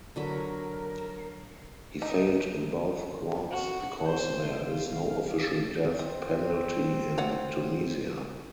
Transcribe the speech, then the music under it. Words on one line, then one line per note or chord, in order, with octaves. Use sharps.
He failed in both courts because there is no official death penalty in Tunisia.
D3 F#3 A#4 B5
D#4
F#4
C5
F5
C4 D#5
C#5 D5 F#5